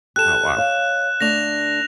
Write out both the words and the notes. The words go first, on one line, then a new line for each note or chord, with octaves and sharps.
Oh, wow.
G4 A4 F#6 E7
C#5 D#5 F5
D3 A3 D4 A#6 F7